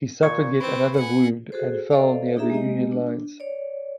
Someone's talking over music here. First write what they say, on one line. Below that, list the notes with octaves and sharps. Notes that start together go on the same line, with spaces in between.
He suffered yet another wound, and fell near the Union lines.
A#2 C#6 G#6
C4 B4
F#5 G#5
F#4 G#4 A4 C5
A4 C5 D5 D#5 F5
D4 D#4 G4 G#4 E5 A#5
G#3 A#3 G4 D#5
D4
C#5 D5